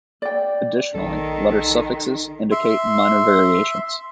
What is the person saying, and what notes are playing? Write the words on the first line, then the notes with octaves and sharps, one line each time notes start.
Additionally, letter suffixes indicate minor variations.
D5 G5
A#1 D#3 A4
E5 C6